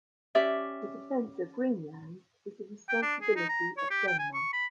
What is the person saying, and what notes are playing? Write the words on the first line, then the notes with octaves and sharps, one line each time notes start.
The defence of Greenland is the responsibility of Denmark.
C#4 G4 D5 E5
G5
D4
G#4
D#4
A#5
C#5
G4
G5
G#5
C#6
B5